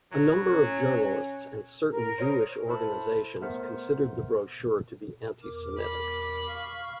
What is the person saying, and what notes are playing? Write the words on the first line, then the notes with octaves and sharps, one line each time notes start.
A number of journalists and certain Jewish organizations considered the brochure to be anti-Semitic.
F#3
C#4
A#4
C5 C#5 D#6
E4 A4 C5 A5 B5
A3 B3 A#4 C5
E2 A#4 D6
B5
F5 C#6 F6